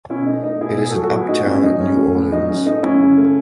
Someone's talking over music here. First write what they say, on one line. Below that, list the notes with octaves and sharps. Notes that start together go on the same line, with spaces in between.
It is in Uptown New Orleans.
B2 C#4 E4
A3 D#4
A3 D#4
B2 E4 G#4
A2 E4 G#4
F#4 A4
F#3
F#4 A4
A2 E4 G#4
A3 D#4 F#4
A2 C#4 E4
F#3 D#4
A2 C#4
A3
A2
F#3 D#4
A2 C#4
A3 D#4
F#2 C#4 E4
C#3
A3